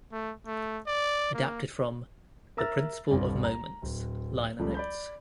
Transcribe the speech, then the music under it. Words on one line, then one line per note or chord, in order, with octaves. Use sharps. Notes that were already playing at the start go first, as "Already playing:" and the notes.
Adapted from "The Principle of Moments" liner notes.
A3
A3
D5
A#3
A#4 E5 A#5 E6 F6 A6
G1 C2 G3
A#5
D1
C#2 F3 G3 A3
D5 B5 G6